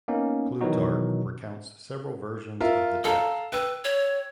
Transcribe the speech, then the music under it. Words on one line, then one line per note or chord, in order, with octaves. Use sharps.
Plutarch recounts several versions of the death.
A#3 B3 C#4 D#4
B2 D#3 E3 F#3 D#4 F#4
F4 A#4 E5
A4 F5 A5 A#5
B4 G5 E6
C#5